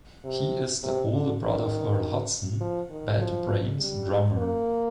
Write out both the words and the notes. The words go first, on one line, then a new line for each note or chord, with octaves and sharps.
He is the older brother of Earl Hudson, Bad Brains' drummer.
C3
C3
D3
D#3
F3
D#3
F3
G3
A#3